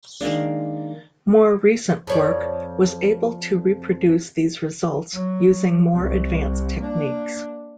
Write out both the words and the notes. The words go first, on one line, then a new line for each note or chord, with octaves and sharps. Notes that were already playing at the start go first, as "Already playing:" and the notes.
More recent work was able to reproduce these results using more advanced techniques.
D#3 G#3 A#3 D4
F2 C#5 D5
F#3
C2
A#3 D4